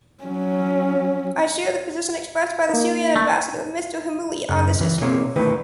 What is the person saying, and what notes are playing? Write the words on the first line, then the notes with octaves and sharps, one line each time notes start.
I share the position expressed by the Syrian Ambassador, Mr. Hamoui, on this issue.
F#3 C#4
A#3 D#4
A3
F#2 C#3
C#2 E3
B2 A#3 C4 G#4 C#5 F5
D3 D#3 A3 E4 B4